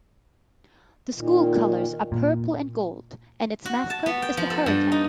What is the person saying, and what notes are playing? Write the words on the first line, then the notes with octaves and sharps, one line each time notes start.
The school colors are purple and gold and its mascot is the hurricane.
A#2 D#3
A#2
F#4
A5
B3
G5
F3
A4
G2
D#4